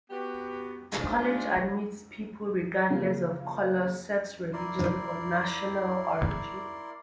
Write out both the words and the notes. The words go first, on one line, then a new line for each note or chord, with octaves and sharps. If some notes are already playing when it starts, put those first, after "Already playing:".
The College admits people regardless of color, sex, religion, or national origin.
B3 F#4 G4
G#3 A3 D4 D#4 F4 C5
C#3 F3 A#3
E4 A#4 D5 C6